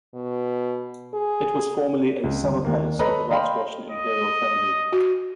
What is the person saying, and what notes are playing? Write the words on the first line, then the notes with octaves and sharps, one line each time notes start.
It was formerly a summer palace of the last Russian Imperial family.
B2
G#4
C#2
G1
D#2 A#3
A4 B4 C#5 D#5 A#5 B5
D#5 F5 G5 B5 C6
D#5
F#4